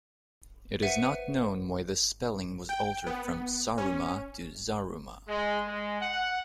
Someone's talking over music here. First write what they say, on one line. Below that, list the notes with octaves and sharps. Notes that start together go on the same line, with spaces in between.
It is not known why the spelling was altered from "Saruma" to "Zaruma".
B4 C5 E5 F#5 C#7 D#7
G5
B3
C#4
G#3
G#3
F#5